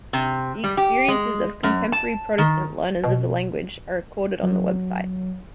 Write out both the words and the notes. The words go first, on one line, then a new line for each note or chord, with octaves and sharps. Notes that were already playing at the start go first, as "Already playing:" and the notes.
The experiences of contemporary Protestant learners of the language are recorded on the website.
C3
G3
G4
G#3
F#2
A5
D#3
B2
F#3